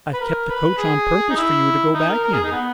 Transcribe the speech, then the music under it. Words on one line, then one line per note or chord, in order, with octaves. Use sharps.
I've kept the coach on purpose for you to go back in.'
B4
A#4
B4
G#4
D#4
E4
D#4
A#4
A#4
G#4
D#4
B3